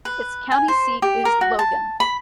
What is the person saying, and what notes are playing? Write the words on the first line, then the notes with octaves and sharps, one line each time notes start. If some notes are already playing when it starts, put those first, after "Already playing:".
Its county seat is Logan.
B4
G#5
C5
G4
A#4
F#4
A5
B5